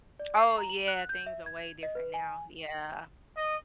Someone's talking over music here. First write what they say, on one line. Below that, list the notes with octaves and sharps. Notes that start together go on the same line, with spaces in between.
Oh, yeah, things are way different now, yeah.
D5
C7
A#5
F#7
F#6
G6
E5
G#6
D#5
B4
G#5
D#5